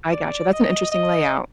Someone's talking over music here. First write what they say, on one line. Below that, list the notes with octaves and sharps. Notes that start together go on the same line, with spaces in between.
I gotcha. That's an interesting layout.
D5
D#5
D#5